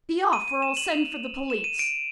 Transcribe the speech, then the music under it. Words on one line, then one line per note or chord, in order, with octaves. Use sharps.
Be off, or I'll send for the police.'
D#7
D#7
E7
F#7
F7
E7
D#7
D7